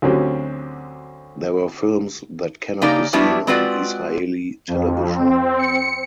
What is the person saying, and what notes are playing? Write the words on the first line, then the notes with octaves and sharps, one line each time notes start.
These were films that cannot be seen on Israeli television.
D2 D3 F#3 C4 C#4 G4
C#3 A#3 D#4 G4 D5 A#5
F3 G3 B3 D4 E4 F#4
G#3 C4 F4 F#4 B4 D5
F2
C4
C#7